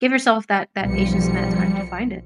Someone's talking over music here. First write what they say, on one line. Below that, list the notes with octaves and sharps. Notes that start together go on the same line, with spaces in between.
give yourself that that patience and that time to find it.
B1 F3 G3 C#7